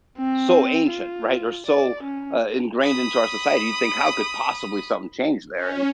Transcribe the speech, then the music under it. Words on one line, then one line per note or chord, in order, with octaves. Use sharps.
so ancient, right, or so, uh, ingrained into our society. You think, "How could possibly something change there?" And
C4
F4
D5
C#4
B5 D#6
C#4